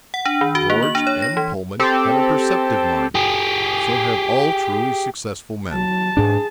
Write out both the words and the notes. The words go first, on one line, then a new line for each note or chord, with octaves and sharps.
George M. Pullman had a perceptive mind--so have all truly successful men.
F#5
D4
D#3
F#4
A#3
F#7
D4
C#5
A#6
E3
C4 G4 A4
G4 G#4
F#3 A5
G#2 D4 G#4